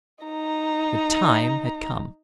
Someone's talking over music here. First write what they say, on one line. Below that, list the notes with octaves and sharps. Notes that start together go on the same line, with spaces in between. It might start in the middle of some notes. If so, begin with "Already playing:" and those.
The time had come!
D#4 A#5